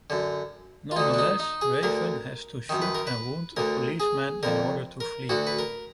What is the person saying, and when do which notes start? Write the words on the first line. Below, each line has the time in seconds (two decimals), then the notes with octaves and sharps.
Nonetheless, Raven has to shoot and wound a policeman in order to flee.
0.10 F#2 D3
0.91 F4
0.96 D2 D3 D#4
1.14 D4
1.18 D#4
1.40 D#4
1.61 G#4
1.83 D2 D3 A#4
2.69 F#2 D#3
2.82 B4
2.95 A#4
3.07 B4
3.57 D2 D3 A#4
4.00 G#4
4.43 F2 D3 A#4
5.00 A#4
5.29 D2 D3 F#4
5.47 B4
5.59 A#4